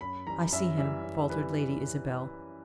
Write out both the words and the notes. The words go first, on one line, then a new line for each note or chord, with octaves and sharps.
"I see him," faltered Lady Isabel.
F#2 B5
E3 G3 A#5
F#2 E5
E3 G3 E5
F#2
E3 G3 B4